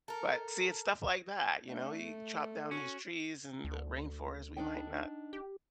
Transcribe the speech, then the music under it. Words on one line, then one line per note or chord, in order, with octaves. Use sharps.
but see, it's stuff like that, you know? He chopped down these trees and the rainforest, we might not,
A4 A#4
A3 D4
A4
C#4 F#4
D2
D4 D#4 G5
G4